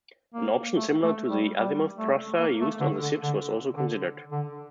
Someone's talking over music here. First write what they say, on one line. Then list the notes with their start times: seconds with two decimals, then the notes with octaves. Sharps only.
An option similar to the Azimuth thruster used on the ships was also considered.
0.34 A#3
0.76 A3
1.03 A3
1.30 G3
1.57 G3
1.98 A3
2.39 A#3
2.61 A3
2.80 D3
3.02 D3
3.22 D3
3.77 D3
4.32 D3